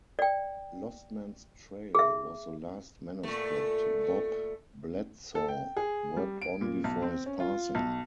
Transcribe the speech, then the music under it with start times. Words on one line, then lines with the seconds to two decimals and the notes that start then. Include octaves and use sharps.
"Lost Man's Trail" was the last manuscript Bob Bledsaw worked on before his passing.
0.19 D5 G5
1.95 G#4 E5
3.23 A#2 A3
5.35 A4
5.48 G5
5.77 G#4
6.17 G3
6.42 D7
6.61 A#2
6.84 B1
7.02 C4
7.26 C#4
7.40 F4
7.75 B1